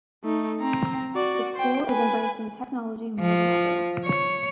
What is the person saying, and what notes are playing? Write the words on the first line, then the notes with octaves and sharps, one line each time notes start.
The school is embracing technology more than ever.
A3 D#4
C4 A#5
F#4 D5
C5 G5
B4 G#5
F3
C#5